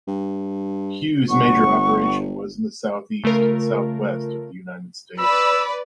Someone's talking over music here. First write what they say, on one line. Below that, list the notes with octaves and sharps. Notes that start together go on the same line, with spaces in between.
Hughes major operation was in the Southeast and Southwest of the United States.
G2
G1 F#5 C#6
C#3 A3 F4 A#4
B4 D5 B5 E6